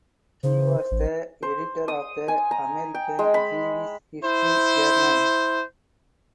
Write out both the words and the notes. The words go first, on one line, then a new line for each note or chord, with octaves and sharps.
He was the editor of the "American Jewish History" journal.
C#3 C5
A1
C5
D#6
G#5
A#5
G5
G#3
B5
E4 C5